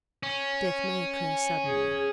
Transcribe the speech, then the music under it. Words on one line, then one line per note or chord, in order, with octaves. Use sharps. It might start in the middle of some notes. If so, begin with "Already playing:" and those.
Death may occur suddenly.
C#4
G#4